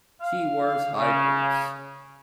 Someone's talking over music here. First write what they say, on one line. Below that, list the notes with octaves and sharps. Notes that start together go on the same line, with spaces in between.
She wears high boots.
F5
C#3